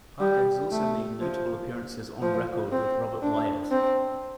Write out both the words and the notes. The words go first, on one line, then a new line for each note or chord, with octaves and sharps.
Parker has also made notable appearances on record with Robert Wyatt.
G3
A3
F3
F3
C4
D4
C4